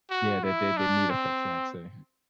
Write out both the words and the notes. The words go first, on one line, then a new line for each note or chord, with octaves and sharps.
Yeah, they they they need affection, I'd say.
F#4
E4
D4
C4